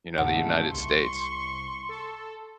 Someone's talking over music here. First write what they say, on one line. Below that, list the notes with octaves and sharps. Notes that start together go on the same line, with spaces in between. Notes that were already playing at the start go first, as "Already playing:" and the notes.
you know, t he United States.
D#2 G#2 C#3 A3 F#5
C2 C6 C#6
A4